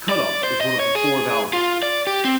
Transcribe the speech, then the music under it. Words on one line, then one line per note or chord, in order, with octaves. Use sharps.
Cutoff is one of the four valve events.
D5
C5
D#5
C#5
G#4
F4
D5
G4
C4